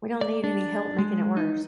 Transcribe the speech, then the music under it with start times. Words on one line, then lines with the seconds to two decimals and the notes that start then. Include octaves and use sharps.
We don't need any help making it worse.
0.21 D5
0.44 D4
0.98 G#3
1.37 D#4